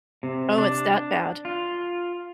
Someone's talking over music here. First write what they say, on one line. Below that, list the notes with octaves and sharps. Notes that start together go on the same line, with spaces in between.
Oh, it's that bad?
C3
D4
F4